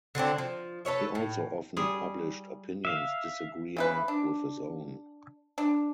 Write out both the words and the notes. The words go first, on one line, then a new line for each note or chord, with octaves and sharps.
He also often published opinions disagreeing with his own.
D3 F#3 C4 D4
F3
A4 B4 C#5 E5
A2
G3 G#4
E5 F5
C#3 E3 B4
D4
D4